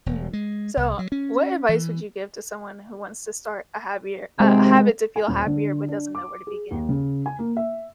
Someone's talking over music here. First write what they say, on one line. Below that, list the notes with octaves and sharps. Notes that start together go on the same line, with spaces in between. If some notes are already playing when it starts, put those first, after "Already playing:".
Mhm. So, what advice would you give to someone who wants to start a happier a habit to feel happier but doesn't know where to begin?
E1
G#3
C2
F#3
C#4
E3
D#2 C3 G#3 C4
G#5
D#1
D3
D4
D6
G#4
D#2
C#3
G#5
A#3
E5